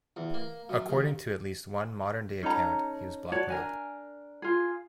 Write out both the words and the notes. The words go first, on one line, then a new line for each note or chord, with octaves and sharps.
According to at least one modern day account he was blackmailed.
E2
A#3
F#2
D#2
C#4 D#4 A4 A#5
F#4 C#5 D5 A5
D4 A#4 G#5
F4 G#4